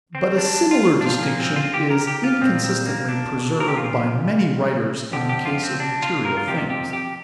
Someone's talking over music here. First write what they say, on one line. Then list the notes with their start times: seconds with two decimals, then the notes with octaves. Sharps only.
But a similar distinction is inconsistently preserved by many writers in the case of material things.
0.15 C4
0.38 D4
0.71 F4
1.01 D4
1.06 A#2 F3 F4
1.23 A#3
1.40 C4
1.56 F4
1.74 G4
1.90 A#4
2.07 G4
2.24 F4
2.41 A#2 F3 C4
2.64 C4
2.86 A#3
3.08 D4
3.60 A#4
3.68 G4
3.76 A#2 F3 F4
5.12 F2 D3 F3 G4
5.29 G4
5.46 F4
5.63 C4
5.80 D4
6.02 F4
6.25 A#4
6.37 F4
6.47 F2 C3 F3 G4
6.70 G4
6.93 G4